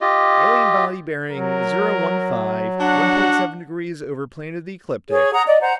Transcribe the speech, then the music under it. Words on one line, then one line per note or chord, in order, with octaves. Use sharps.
Alien body bearing zero-one-five, one-point-seven degrees over plane of the ecliptic.
F4 G4 D#5
F#3 A#4
D4 F#4 F#5
G#4 C#5
F#5 A#5 D#6
D5 D#5
C5 F#5 A#5